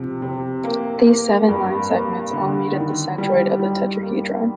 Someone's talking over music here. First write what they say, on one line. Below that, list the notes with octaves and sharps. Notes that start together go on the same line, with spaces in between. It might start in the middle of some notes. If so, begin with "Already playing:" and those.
These seven line segments all meet at the "centroid" of the tetrahedron.
Already playing: C3 F3
C3
A#3
A#3
G2
A#3
D3
D#3
G3
G3
A#3